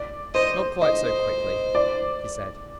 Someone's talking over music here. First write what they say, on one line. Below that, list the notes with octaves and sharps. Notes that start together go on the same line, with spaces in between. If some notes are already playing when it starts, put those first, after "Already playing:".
"Not quite so quickly," he said.
Already playing: D5
C5 D#5
C5 D#5
D5